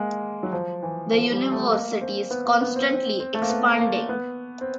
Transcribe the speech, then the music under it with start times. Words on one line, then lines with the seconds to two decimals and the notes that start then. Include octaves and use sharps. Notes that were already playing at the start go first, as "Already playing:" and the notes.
The university is constantly expanding.
Already playing: G#3 A#3
0.43 F#3
0.53 F3
0.83 E3
1.12 F3
1.32 G3
1.52 A3
1.71 A#3
2.01 C4
2.31 B3
2.45 A#3
2.61 B3
2.76 C4
2.90 C4
3.20 C4
3.34 A3
3.42 A#3
3.49 B3
3.79 A#3
4.09 B3
4.61 C4